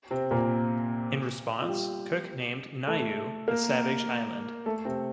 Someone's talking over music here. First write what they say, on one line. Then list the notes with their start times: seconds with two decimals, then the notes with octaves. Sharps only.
In response, Cook named Niue the "Savage Island".
0.11 C3 C4
0.31 A#2 A#3
1.61 F4
1.69 G3 G4
2.87 A3 A4
3.48 A#3 A#4
4.66 A3 A4
4.85 C3 C4